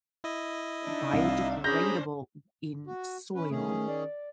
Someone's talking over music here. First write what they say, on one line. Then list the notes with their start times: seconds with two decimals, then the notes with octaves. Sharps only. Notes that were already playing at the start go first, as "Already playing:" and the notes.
biodegradable in soil,
0.24 E4 D#5
0.84 D4 D#4 E5
1.13 C2 F5
1.64 C#4 D4 G#4 C5 A#5 B5 G6 A#6
2.87 F#4
3.35 C#4 B4
3.50 D#3 A3 C#4 G#4
3.88 D5